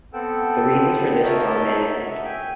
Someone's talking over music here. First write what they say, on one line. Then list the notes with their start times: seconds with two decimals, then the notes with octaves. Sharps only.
The reasons for this are manifold.
0.13 B3 C4 A4 F#5 G5 E6
1.23 A#4 C#5 D#5 E5 A5 G6
1.93 F#4
2.10 E5
2.25 G5 G#5